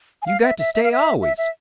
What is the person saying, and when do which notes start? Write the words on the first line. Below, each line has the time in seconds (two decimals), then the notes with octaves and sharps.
You got to stay always.
0.22 G#5
0.26 F5
0.43 E5
0.59 E5
0.74 E5
0.84 F5
0.92 E5
1.22 E5
1.38 E5